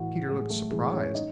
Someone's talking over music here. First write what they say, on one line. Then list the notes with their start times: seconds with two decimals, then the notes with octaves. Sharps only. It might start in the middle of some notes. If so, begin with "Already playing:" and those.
Peter looked surprised.
Already playing: A2 E3 F#4
0.28 A2 G#3 G#4
0.50 A3 A4
0.71 E3 G#3 G#4
0.93 C#4 C#5
1.15 D#4 D#5